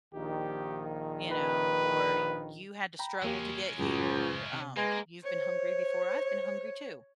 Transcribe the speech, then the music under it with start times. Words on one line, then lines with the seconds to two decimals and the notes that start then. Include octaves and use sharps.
you know, or "You had to struggle to get here," um, "You've been hungry before. I've been hungry too.
0.13 A#1 D#3 G4
1.32 B4
2.99 G5 A#5 B5
3.22 E2 G#3 A#3 C#4 G4
3.79 C#2 F#2 A2 C#3
4.53 C3
4.77 G#3 A#3 B4
5.23 C5 C#5